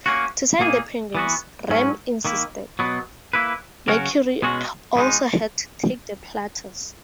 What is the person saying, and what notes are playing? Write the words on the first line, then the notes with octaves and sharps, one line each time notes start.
To sign the Penguins, Ram insisted, Mercury also had to take the Platters.
A#3 C#4 F#4
A#2 A#3 D#4 G#4
E3 B3 F#4
G#2 F#3 C#4
D#3 A#3 E4
B2 F#3 B3
A#3 E4 B4
C#3 F#3 C#4 F#4 A#4
B2 G#3 C#4 F#4
B2 G#3 D#4